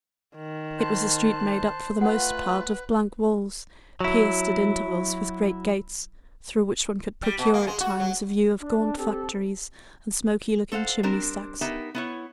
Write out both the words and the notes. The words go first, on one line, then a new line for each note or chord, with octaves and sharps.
It was a street made up for the most part of blank walls, pierced at intervals with great gates, through which one could procure at times a view of gaunt factories and smoky-looking chimney-stacks.
D#3
C5 A5 F#6
A3 F4 B4 F#5
F#3 E4
G3
B2
A#3
G#3
F#4
F#3
D4
C4 G4 A4
A4 C5 F5 F#5
G3 C4 D4 A#4 C5
B3 D#4 G4 A#4 E5
B3 E4 C#5